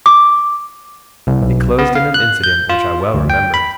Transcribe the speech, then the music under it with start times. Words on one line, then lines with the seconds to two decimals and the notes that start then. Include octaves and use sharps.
It closed in an incident which I well remember.
0.06 D6
1.27 C2
1.42 B1
1.79 B3
1.95 F5
2.14 F#6
2.44 G6
2.69 F4
3.14 D2
3.30 G5
3.54 B5